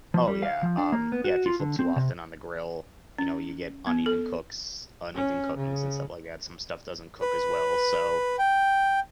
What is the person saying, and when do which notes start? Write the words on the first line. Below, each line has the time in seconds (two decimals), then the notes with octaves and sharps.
Oh, yeah. Um, yeah, if you flip too often on the grill, you know, you get uneven cooks uneven cooking, and stuff like that. Some stuff doesn't cook as well, so
0.14 F3
0.28 G3
0.43 F5
0.63 F3
0.78 D4
0.92 A#3
1.12 B3
1.24 F#4
1.46 F4
1.60 D3
1.79 C4
1.96 C3
3.18 C#4
3.87 B3
4.06 A4
5.14 C#4
5.56 C#3
7.21 B4
8.39 G5